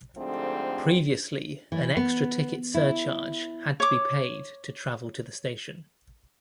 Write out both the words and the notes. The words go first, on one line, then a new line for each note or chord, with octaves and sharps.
Previously an extra ticket surcharge had to be paid to travel to the station.
G#2 D3 F3 G3 A3 C4
E3
B3
E4
C#5 D6